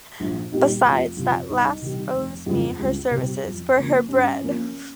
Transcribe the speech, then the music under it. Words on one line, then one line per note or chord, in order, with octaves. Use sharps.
Besides, that lass owes me her services for her bread.
A#1
A#2 G3 A#3 D#4
F1 F4
F2 C3 F4
C2 D#4
C3 D#3 G3
F1
F2 C#3 F3 G#3
C#2
C3 G3
F2
C#3 F3 A#3
G2 C#4
F3 A#3